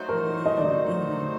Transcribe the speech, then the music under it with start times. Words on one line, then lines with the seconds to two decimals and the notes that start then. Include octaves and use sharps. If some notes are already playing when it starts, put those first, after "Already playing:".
Mm, mhm.
Already playing: F#3 A3 D#4 F#4 C5
0.09 A#4
0.46 D#5
0.58 D5
0.64 D#5